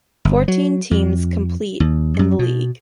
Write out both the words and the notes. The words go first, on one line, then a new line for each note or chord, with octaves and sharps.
Fourteen teams complete in the league.
G1
F#3
F2
D#2
F#2
B2